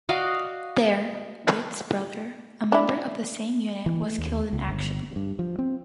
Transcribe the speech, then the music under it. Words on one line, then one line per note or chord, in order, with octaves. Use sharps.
There, Witt's brother, a member of the same unit, was killed in action.
F#4 D5 D#5 F5
D4 E4
E3
A3
D#2
C#2
G1
G2
F3
C4